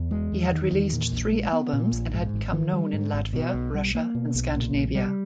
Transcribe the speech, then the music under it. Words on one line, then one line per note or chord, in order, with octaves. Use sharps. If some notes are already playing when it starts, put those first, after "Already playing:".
He had released three albums and had become known in Latvia, Russia and Scandinavia.
Already playing: E2
G#3
E2
D#3
E2
A#2
A#1
G#3
B3
A#2
A#1
G#2
G#1
D#3
G3
G#2
G#1
B2
B1
G3
A#3
B2
B1
A#2
A#1
G3